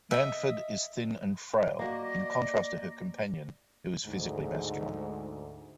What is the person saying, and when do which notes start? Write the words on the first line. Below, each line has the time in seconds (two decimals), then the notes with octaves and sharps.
Banford is thin and frail, in contrast to her companion who is physically masculine.
0.11 D#5 E5
1.79 A#3 F#4 D5 D#5
4.05 D2 G#2